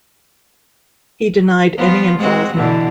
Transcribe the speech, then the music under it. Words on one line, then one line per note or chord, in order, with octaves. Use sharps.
He denied any involvement.
F3 B3 F4
G#3 C4 F#4
B2 D3 E3